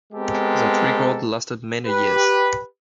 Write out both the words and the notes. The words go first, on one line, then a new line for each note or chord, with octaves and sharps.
That record lasted many years.
G#3 B3 C4 G4 A4 A#4
G4 B4